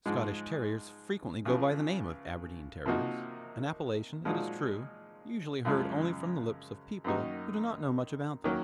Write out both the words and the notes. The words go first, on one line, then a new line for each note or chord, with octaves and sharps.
Scottish Terriers frequently go by the name of Aberdeen Terriers--an appellation, it is true, usually heard only from the lips of people who do not know much about them.
G#2 F3 G#3
C#2 C#3 F3
C3 F3 A#3 D#4 F#4
A#2 F3 G#3 D#4 F#4
F#2 C#3 F3 G#3
F#2 D#3 A#3 D#4 F#4
D#3 F#3 A#3 C#4